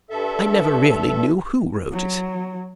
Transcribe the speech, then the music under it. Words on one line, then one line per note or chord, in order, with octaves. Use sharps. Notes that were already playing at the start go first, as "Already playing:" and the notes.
"I never really knew who wrote it."
G2 A4 E5
F#3